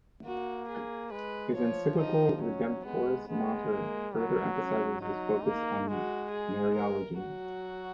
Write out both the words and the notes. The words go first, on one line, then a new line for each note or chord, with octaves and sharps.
His encyclical "Redemptoris Mater" further emphasizes his focus on Mariology.
A#3 F#4
G#4
G#3 B4
F3 C#5
D#4
F#3 C#4
G#3 B3
G#3 B3
A#3
F#3 B3
C#4
F#3 D#4
A#3
G#3 F#4
G#4
A#4
F#3 F#4